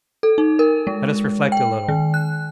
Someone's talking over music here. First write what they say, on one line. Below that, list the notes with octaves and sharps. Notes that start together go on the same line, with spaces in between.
Let us reflect a little.
A4
D#4
A#4
G#3
G5
D#3
F#6